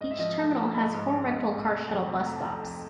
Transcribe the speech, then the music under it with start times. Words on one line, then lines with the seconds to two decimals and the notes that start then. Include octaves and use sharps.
Each terminal has four rental car shuttle bus stops.
0.01 G#2 D#5
0.11 E5
0.19 F3 D#5
0.37 A3 A5
0.56 F3 A#5
0.75 G#2 B5
0.94 G#2
1.13 G#2
1.31 G#2
1.51 C3
1.69 A3
1.88 F2
2.06 C3
2.24 A3 A#5
2.36 A5
2.43 F2 A#5
2.62 F2